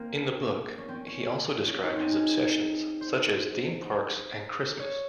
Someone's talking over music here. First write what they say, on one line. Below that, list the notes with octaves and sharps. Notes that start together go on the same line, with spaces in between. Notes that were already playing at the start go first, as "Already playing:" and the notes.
In the book, he also describes his obsessions, such as theme parks and Christmas.
Already playing: A#3 C4
C#4
C4 C#4
C#4
C#4
D#4
C4
G#4
C5
C#5